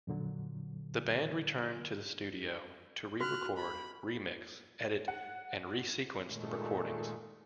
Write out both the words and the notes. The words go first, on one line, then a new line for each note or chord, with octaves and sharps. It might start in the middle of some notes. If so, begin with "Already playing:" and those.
The band returned to the studio to re-record, remix, edit, and re-sequence the recordings.
F2 A#2 D3 F#3
F#4 F6 F#6
B5
F#5
A#2 D#3 G#3 A3